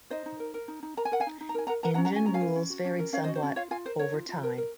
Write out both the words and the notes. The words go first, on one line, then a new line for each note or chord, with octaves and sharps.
Engine rules varied somewhat over time.
D#4 C5 D#5
D#4
A#4
A#4
D#4
D#4
A#4 A#5
G#5
A#4 F#5
F5 G#5
D#4
D#4
A#5
A#4 G#5
A#4 F#5 A#5
A#4 F#5 A#5
C#4 F#5 A#5
F#5 A#5
F#4 G#5
C#4 A#5
F5 G#5
A#4
C#4
F#4
C#4
A#4
C#4 C#5 F5
C5 D#5
F#4
C5
C#4
F4 C#5 F5
F4 F5 G#5
A#4 C5
A#4 C#5
F4
F4
A#4
A#4